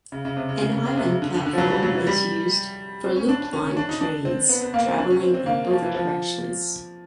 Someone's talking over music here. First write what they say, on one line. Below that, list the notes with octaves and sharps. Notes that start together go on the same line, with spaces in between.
An island platform is used for Loop Line trains travelling in both directions.
C#3
C#3
C3
C#3
C#3
C#3
C#3
C3
C#3
D3
D3
D3
F3
F#3
G3
F#3
E3
G3
C4
C#4
D4
D4
C#4
C#4
D4
D#4
D4
C4
B3
B3
A#3
C4
D4
C#4
C4
C4
A#3
F3
E3
F3